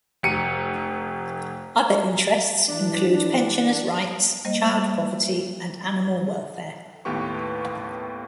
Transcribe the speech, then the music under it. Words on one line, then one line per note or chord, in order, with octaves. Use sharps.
Other interests include pensioners rights, child poverty and animal welfare.
F1 C#7 D#7
E3 D4
G3 A#3 C5 D#5
D#2 A2 B3 G4 B4 C#6